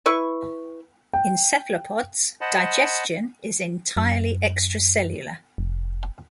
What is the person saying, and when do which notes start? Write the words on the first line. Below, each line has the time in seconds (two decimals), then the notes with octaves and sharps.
In cephalopods, digestion is entirely extracellular.
0.06 E4 B4 C#6
1.13 G5
2.41 C5 D#5 F#5 A5 B5
3.97 F#2
5.58 F1